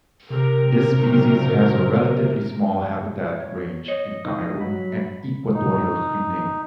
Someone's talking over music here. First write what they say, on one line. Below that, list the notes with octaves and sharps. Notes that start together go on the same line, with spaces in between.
This species has a relatively small habitat range in Cameroon and Equatorial Guinea.
C3 A#4
A#2 C#3 F#3 D#4 A#5
C#5
C#5 D#5
D#4 D#5
F#3 B5
D#4